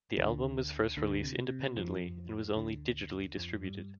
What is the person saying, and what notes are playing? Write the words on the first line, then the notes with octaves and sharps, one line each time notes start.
The album was first released independently and was only digitally distributed.
D2 D3
D2 D3
C3
C3
F2 F3
D2 D3
F2 F3
G2 G3